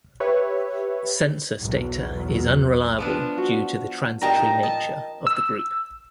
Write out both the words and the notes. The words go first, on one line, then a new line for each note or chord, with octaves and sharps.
Census data is unreliable due to the transitory nature of the group.
G4 B4 C#5 E5
B1 E2 F#3
F3 B3 D4
F#4
A#2 D4 G4 A#4 D#5 G5 A5 A#5
D#4
D#5 A5
E6